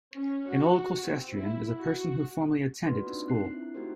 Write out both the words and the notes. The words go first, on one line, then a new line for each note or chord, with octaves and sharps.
An Old Colcestrian is a person who formerly attended the school.
C#4
F#4
C4
E4
F#4
D4 F#4 B4 C6
A#3 C4 D4 D#4 F4
C4 F#6 C7
E4
A3 D#4 F#4 G4 A#4 C5